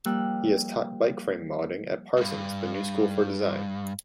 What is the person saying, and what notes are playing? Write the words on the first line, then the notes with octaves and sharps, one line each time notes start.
He has taught bike frame welding at Parsons The New School for Design.
F3 G3 A#3 E6 F#6
C#2 G2